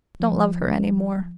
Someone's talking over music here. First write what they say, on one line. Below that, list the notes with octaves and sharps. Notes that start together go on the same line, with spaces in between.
Don't love her any more.
F3